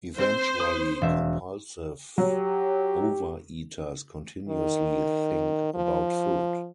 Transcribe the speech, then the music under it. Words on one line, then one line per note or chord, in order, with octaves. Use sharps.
Eventually, compulsive overeaters continuously think about food.
C4 C5
D#6
E1 E5
F#3 G4
D#3
F3